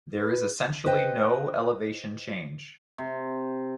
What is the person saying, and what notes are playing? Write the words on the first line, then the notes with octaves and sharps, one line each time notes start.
There is essentially no elevation change.
B4
B4 C5 D#5 G5
C3